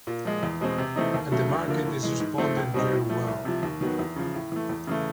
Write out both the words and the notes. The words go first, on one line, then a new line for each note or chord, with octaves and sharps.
And the market is responding very well.
A#2
F3 G#3
E2
B2 G#3 C4
C3
E3 A3 C4 D#4
D#2
C#3 F#3 A3
D2
D3 F3 A#3
A2
E3 G#3
G#2
F3 A3 C4
C#2
B2 G3 C4 D#4
A2
F3 A3
C2
C3 F3
D#2
D#3 F#3 B3
E2
C#3 F3
A2
E3 A3
E2
C#3 E3 A3